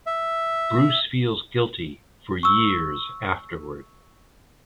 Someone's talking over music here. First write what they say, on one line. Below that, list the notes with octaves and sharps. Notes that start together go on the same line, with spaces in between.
Bruce feels guilty for years afterward.
E5
C#6 E6